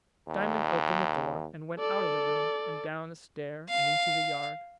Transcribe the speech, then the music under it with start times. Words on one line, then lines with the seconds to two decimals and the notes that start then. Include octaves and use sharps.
Diamond opened the door, and went out of the room, and down the stair and into the yard.
0.27 D#2
1.79 A4 D5
3.69 F5